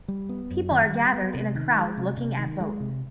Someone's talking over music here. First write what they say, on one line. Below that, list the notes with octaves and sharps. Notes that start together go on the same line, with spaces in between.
People are gathered in a crowd looking at boats.
G3
B3
F#2
D#3
G3
B3
C3
D#3
G#3
C3
C3
D#3
G#3
C3